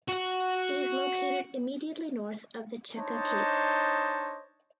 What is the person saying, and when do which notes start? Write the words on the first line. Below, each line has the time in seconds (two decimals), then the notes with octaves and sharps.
It is located immediately north of the Chekka cape.
0.08 F#4 F#5
2.97 D4 D#4 C5 C#5 D#5 A5